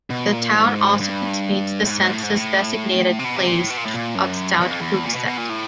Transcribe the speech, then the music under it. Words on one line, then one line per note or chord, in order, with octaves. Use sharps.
The town also contains the census-designated place of South Hooksett.
B2
A#2
G#2
G2
A2
G#2
G#2
A2
G#2
A2
C3
B2
C3
A#2
A2
B2
A#2
A2
A#2
F#2
E2
F2
E2
A#2
B2
B2
A#2
A2